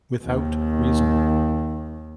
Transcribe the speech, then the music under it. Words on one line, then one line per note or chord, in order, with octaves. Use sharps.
Without reason.
D#2 D#3